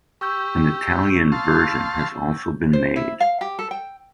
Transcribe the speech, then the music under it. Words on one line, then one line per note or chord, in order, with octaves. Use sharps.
An Italian version has also been made.
G4 C#6 E6 G6
F5 A5 C6
C5
E4
F5
G4
A4
G5